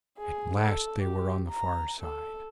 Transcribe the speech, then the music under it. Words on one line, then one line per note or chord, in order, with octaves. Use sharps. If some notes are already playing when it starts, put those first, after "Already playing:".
At last they were on the far side.
G#4
A4
G4
A#5
A4